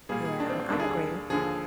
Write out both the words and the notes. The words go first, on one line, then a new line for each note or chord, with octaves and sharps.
Yeah, I agree.
A#2 G3 A#3 G#4
G#4
D4
C4
C4
D#2 D3 G3 A#3 D4
G#4
G#4
D#2 D3 F3 G#4